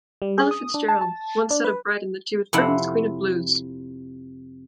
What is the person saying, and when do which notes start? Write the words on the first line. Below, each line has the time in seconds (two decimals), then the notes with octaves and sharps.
Ella Fitzgerald once said of Bryden that she was "Britain's queen of the blues".
0.22 G3
0.38 G#4
0.51 D#6
0.74 D4
0.88 A5
1.01 A5
1.50 D4
1.64 B4
2.53 F2 C3 C4 E4 F#5